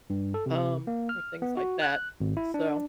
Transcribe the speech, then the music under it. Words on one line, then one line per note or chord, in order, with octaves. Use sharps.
um, or things like that. So,
G2
A4
C3
A#3
F6
B3
F#4
F#6
G#1
E4
D4